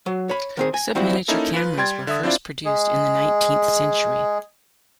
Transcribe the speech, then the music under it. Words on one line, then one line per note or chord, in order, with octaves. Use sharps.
Subminiature cameras were first produced in the nineteenth century.
F#3
C#5 B5
D#3 C4 G#4
G#5
F3 G3 C4 E4 F#4
A#3 C#4 D#4 E4 A4
F4 B4
G3 G5 C6 G#6 A6
D3 E5 D#6
C4 D4 E4 F4 D5
G#3 G#4